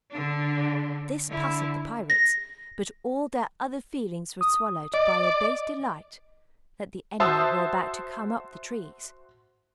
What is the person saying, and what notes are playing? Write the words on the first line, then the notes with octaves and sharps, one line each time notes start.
This puzzled the pirates, but all their other feelings were swallowed by a base delight that the enemy were about to come up the trees.
D3 D4
D3 E4
A#6
D#6
D5 D#5
F#4 C5 E5 A5 D#6 E6